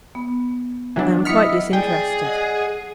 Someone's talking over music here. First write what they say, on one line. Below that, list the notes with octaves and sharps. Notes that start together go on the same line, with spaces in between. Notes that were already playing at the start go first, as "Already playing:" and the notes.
I am quite disinterested.'
B3
E3 F#3 D4
F#3 E4 D#5 D#6 F6 B6 C#7
G#4 D5 G5
D#5 F#5